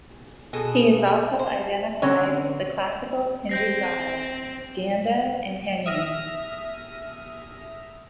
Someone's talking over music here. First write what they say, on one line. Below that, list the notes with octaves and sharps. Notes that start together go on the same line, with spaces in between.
He is also identified with the classical Hindu gods Skanda and Hanuman.
B2 G#4 A4
C5
D3 C4 C#4 C#5
C4 G6 A#6 C7
E5 D#6 F6 A#6